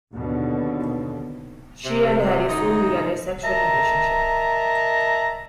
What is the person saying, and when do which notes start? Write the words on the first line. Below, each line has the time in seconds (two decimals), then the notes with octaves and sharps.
She and Harry soon began a sexual relationship.
0.12 D#2 B2 D3
1.84 C3
2.48 F#2 A2 D3 D#4
3.44 A#4 D#5 E5 A5 A#5